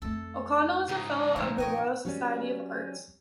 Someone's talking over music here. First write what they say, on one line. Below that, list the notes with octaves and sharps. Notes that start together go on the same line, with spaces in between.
O'Connell is a Fellow of the Royal Society of Arts.
F2 A3 A4
C#2 G#2 D#4
F2 A#2 A3
D#4 C#5 D#5 G5 G#5
F#3 G3 C#4